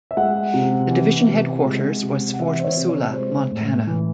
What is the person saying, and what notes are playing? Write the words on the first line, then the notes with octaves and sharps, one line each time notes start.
The division headquarters was Fort Missoula, Montana.
E5
G#3 F#5
C3
E3
C3
G#3
C3
F#5
E3 E5
C5
C#5
C3
C#5
G#3 C5
A2
E3